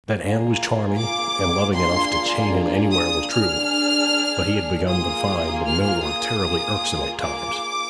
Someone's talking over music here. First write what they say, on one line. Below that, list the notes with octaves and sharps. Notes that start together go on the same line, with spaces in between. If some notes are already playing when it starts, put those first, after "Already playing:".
That Anne was charming and loving enough to chain him anywhere was true; but he had begun to find the mill-work terribly irksome at times.
A#3 F4 G#4
D6
A#3 D4 F4 G#4 C6
D#6
D4 G#4 F6
A#3 F4 G#4 D#6
F6
D#6
A#3 F4 G#4
D6